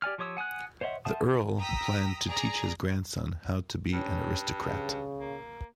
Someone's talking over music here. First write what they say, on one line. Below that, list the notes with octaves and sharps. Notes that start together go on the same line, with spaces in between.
The Earl planned to teach his grandson how to be an aristocrat.
G4 D5 G#5 F6
F3 G4 C#5 D#6 E6
F#5 G#5 D#6 F#6
C5 C#5 D#5 E5 F#5
C5 E5 F#5 A5 D#6
G5 A#5 D#6 E6 B6
G#4 D5 A#5
G2 C#4
C#3
A#3